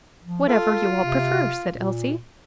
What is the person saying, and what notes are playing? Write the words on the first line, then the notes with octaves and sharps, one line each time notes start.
"Whatever you all prefer," said Elsie.
F3
F4 A4
C3
A#2